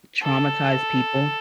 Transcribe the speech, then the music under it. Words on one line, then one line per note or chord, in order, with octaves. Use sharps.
Traumatized people.
A4